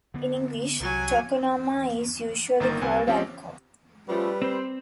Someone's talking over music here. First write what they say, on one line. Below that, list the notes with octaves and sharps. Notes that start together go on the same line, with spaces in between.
In English, "tokonoma" is usually called alcove.
D3 B3
C2 F#3 G#5
G1 D#3 A#3 A#4 A6
C2 C4 B4 G#5
F3 C4 C#4 G4
C#3 F3 G3 A3 B4
C4 C5